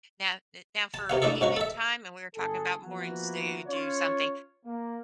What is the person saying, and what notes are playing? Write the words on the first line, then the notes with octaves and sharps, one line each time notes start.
Now, eh, now for evening time, and we were talking about mornings, do you do something
A5
C3 B3 F5
A3 D4 E4 G#4 A4
G#2 C#3 F#4 A#5
A4 E5
G1 G#4 A4 A5
F3 A#3 B3 E4 F#4
C#4 F4 C#5
A#3